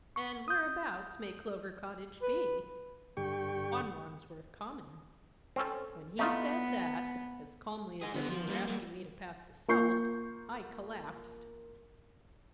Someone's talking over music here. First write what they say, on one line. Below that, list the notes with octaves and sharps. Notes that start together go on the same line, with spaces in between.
'And whereabouts may Clover Cottage be?' 'On Wandsworth Common.' When he said that, as calmly as if he were asking me to pass the salt, I collapsed.
C#6
D#6 G6
B4
G2 D3 G4 G5 C#6
C4 C#4 A4
A3 B3 D#4 F4
D#4 G#4
D3 B3
F3
G3 A#3
G3 A#3
A#3 F4 C#6 G6 C7